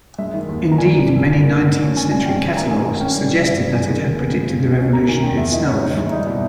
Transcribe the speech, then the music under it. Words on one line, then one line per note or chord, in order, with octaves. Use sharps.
Indeed, many nineteenth-century catalogues suggested that it had predicted the Revolution itself.
G#3 E5
D#3
D#2
B3
A#5
G3 G#5
E3
G2
G2
A#3
D#3
G#2
C#4
C#4 G#5
G3 G#5
G#2 G5
G#2 G#5
A#3 A#5
D#3 G#5
G#2 G#5
C#4 G5
G3
E3
G2
B3
G#3 G#5
D#3
D#2
B3
G#3
C#3
C#2
C#4
A#3 A#5
D#3 G#5
E2 G5
E2 E5
E3 D#5
C#3 C#5
D#2 D#4
G#3 E4
G3 D#4
B2 E4